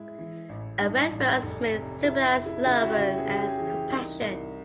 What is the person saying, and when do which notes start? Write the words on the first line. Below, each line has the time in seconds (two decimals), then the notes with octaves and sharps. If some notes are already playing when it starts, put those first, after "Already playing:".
A red rose may symbolize love and compassion.
Already playing: G#3 E4
0.18 E3
0.49 A1
0.80 G2 D#4
1.11 A1
1.42 F1
1.73 C3
2.04 F1 E4
2.35 F1
2.46 E4
2.66 C#3 E4
2.81 F#4
2.87 G4
2.97 C#3
3.18 G#4
3.28 C#3 G4
3.49 G#4
3.59 E3
3.69 G4
3.90 C2 D#4
4.21 C2